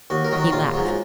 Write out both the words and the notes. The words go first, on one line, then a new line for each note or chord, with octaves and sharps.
He laughed.
D#2 F#4
A#4
D#3 F#3
F#4
A#1 F4
G#2 F#3